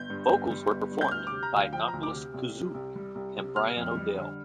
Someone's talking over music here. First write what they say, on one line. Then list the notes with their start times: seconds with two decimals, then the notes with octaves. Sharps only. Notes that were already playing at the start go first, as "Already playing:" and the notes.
Vocals were performed by Nachilus Kezuck and Brian O'Dell.
Already playing: G1 G6
0.10 G2
0.30 G1
0.51 G3
0.71 G1
0.91 G2
1.01 G6
1.11 D2 F6
1.27 D6
1.32 C3
1.43 A#5
1.52 D2
1.58 F5
1.73 F3 G5
1.88 A#5
1.93 D2
2.03 D6
2.14 C3
2.34 C2
2.54 C3
2.74 C2
2.96 G3
3.15 C2
3.36 C3
3.56 G1 F6
3.77 F2
3.97 G3
4.17 D3